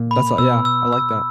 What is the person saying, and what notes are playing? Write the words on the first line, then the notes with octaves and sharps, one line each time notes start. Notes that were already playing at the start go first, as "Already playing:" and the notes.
that's a yeah, I like that.
Already playing: A#2
B5
B2 E6
E6
E6